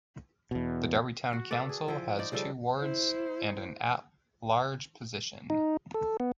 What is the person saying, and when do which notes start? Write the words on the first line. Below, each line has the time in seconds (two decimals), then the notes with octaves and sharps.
The Darby Town Council has two wards and an at-large position.
0.51 E2 B2
1.33 F#4
1.51 A4 B4 D5
1.69 G#4
1.88 F3 E4 C5 G5
2.19 D#4 C5 D5
2.32 C#3 F3 G3 A4
2.77 E4 C5
5.50 D#4
5.94 A4
6.20 B3